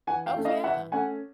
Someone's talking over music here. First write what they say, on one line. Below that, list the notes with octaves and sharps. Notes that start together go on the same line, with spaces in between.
Oh yeah.
E3 F#5 G#5
F5 G5
A3 C#4
D#5 F5
E3 E5 F#5
A3 C#4 F#5 G#5